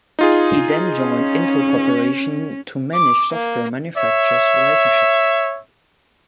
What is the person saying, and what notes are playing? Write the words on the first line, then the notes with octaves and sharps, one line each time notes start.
He then joined Intel Corporation to manage Software manufacturers relationships.
D#4 F4 G#4
C#4
D6
A#3
C#5 E5